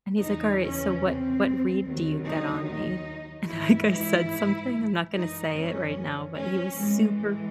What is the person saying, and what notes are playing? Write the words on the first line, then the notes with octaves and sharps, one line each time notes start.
And he's like, "Alright, so what what read do you get on me?" And, like, I said something, I'm not gonna say it right now, but he was super,
E2 C#3 E3 D#4
C#4
C4
D#2 D#3 F#3
D#4
D#4
G#2 E3 E4
E4
F#2 E3 D#4
C#4
C#4
A2 E3 G#3
G#3